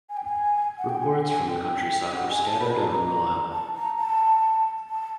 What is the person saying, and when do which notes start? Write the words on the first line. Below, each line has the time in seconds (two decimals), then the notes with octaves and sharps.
Reports from the countryside were scattered and unreliable.
0.09 G#5
0.17 G5
0.24 G#5
0.78 F#5
0.89 G5
1.01 G#5
1.13 F#5
1.24 G#5
1.47 G5
2.15 F#5
2.30 G#5
2.46 A5
2.60 B5
2.76 A#5
2.91 A#5
3.53 A5
3.75 A#5
3.98 A5
4.89 A5